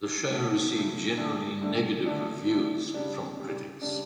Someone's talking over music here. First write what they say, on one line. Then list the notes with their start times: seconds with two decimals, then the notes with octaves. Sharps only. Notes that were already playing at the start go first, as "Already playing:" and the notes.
The show received generally negative reviews from critics.
0.30 C#3 F#3 A3
0.73 C#3 F#3 A3
1.18 D3 A3 D4
1.61 D3 A3 D4
2.06 D3 A3 D4
2.50 D3 A3 D4
2.94 C#3 G3 D4
3.37 C#3 G3 D4
3.82 C#3 G3 D4